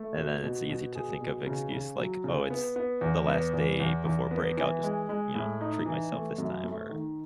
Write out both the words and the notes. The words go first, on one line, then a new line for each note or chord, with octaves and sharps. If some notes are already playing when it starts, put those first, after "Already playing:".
And then it's easy to think of excuse like, "Oh, it's the last day before break. I'll just, you know, treat myself this time," or,
Already playing: A3
B2
B2
B2
G#4
B2
C#3
C#3
F#3
C#3
B3
B3
E2
B3
E2
E2
E2
B3
E3
G#3
G#3
A2
D#4
E3
A3
F#2
A3
D#3